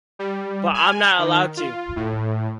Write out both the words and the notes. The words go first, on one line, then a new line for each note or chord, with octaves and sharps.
But I'm not allowed to.
G3
G#5
D#3
F4
A2